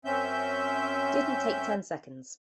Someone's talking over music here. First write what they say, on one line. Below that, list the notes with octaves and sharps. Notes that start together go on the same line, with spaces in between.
Didn't take ten seconds.
F#2 C4 C#4 E5 G6